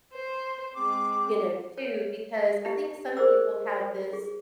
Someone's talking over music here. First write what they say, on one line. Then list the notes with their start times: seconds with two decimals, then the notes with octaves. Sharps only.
you know, too, because I think some people have this,
0.13 C5
0.75 G#3 C4 D6
1.78 C#5
2.66 G4
3.17 G#4 A#4 C5 D5 E6
4.13 G#4